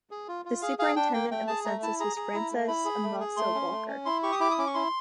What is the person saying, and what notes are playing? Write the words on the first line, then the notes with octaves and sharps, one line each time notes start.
The Superintendent of the Census was Francis Amasa Walker.
G#4
F4
F4
G#4 F5
G#4 F5
D4 G5
A#3 G5
A3 G5
G#4 A5
A3 A#5
E4 A5
G#4 A#5
G#4
E4
A3
E4 B5
G#4
A3
G#4
A3 C6
C#4
A3
C#4
E4 C6
G4 C#6
D#6
E4 D6
D#6
C#4 D6
C#6
E4 C6